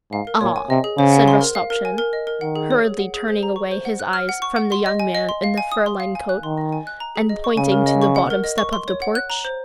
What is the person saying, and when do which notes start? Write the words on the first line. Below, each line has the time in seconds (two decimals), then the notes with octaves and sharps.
"Ah!" said Rostopchin, hurriedly turning away his eyes from the young man in the fur-lined coat and pointing to the bottom step of the porch.
0.12 G#2 F5
0.27 A#4
0.41 A#2 C#5
0.56 G#5
0.70 C3 D#5
0.84 G#4
0.98 C#3 C5
1.13 F#5
1.28 C6
1.41 A#4
1.55 F5
1.70 A#4
1.85 G#5
1.98 A#4
2.13 D#5
2.27 A#4
2.41 D#3 F#5
2.56 G#4
2.71 C#5
2.84 G#4
2.99 F#5
3.14 G#4
3.28 C5
3.43 A#5
3.56 C#6
3.71 C5
3.85 F#5
4.00 F#6
4.13 F6
4.29 F#5
4.42 C#6
4.56 F#5
4.72 C6
4.86 D#5
5.00 G#5
5.15 D#5
5.29 C6
5.44 F5
5.58 G#5
5.72 D#6
5.86 C6
6.00 F5
6.15 G#5
6.29 F#6
6.43 D#3 C6
6.58 D#5
6.72 G#5
6.87 F#6
7.00 A#5
7.16 G#4
7.29 D#5
7.44 C#6
7.57 C#3 G#5
7.72 A#4
7.86 D#5
8.02 C#6
8.16 F#5
8.30 A#4
8.44 D#5
8.58 C#6
8.73 C6
8.88 C#5
9.02 F#5
9.15 F#6
9.30 A#5
9.45 C5